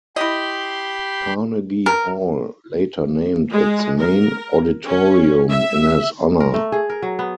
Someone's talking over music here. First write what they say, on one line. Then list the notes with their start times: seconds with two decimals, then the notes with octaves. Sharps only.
Carnegie Hall later named its main auditorium in his honor.
0.16 E4 G4 D#5 B5 C6
1.86 A#4
3.51 G#3
3.99 A#4
4.86 C#4
5.49 E5
6.40 A#4
6.54 A3
6.72 G#4
6.90 A#4
7.02 F#3
7.19 B3